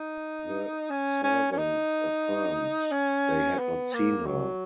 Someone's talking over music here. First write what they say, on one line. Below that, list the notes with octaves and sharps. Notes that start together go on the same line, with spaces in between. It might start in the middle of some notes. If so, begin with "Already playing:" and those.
The servants affirmed they had not seen her.
Already playing: D#4
C#4
C#4
C#4
D#4
C#4
B3
A#3
F#3